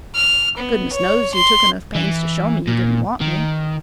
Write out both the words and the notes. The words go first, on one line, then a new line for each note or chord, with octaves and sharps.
Goodness knows, you took enough pains to show me you didn't want me.
F6
B3
C#5
C6
E3
A#2
D#3